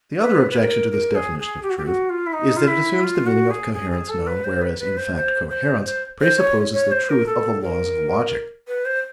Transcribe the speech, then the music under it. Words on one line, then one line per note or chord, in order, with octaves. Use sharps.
The other objection to this definition of truth is that it assumes the meaning of 'coherence' known, whereas, in fact, 'coherence' presupposes the truth of the laws of logic.
B4
B4
A#4
A#4
G#4
G#4
G4
F#4
G4
F#4
F4
E4
D#4
F4
E4
F4
F#4
G#4
G#4
G#4
A4
B4
C5
B4
B4
C5
C5
C5
C5
C5
C#5
C#5
C5
A#4
A4
A#4
B4
C5